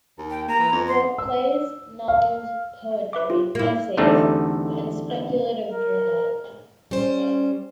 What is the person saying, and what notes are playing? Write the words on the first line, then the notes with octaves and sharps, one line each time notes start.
He wrote plays, novels, poetry, essays and speculative journalism.
D#2
G5
A#3 A#5
E3
F2
C6
E6
F5
B4 E5 D6
F4 G4
A#3 E4
E2 D3 G3 A3 C4 D#4
A#4
G3 C#4 C5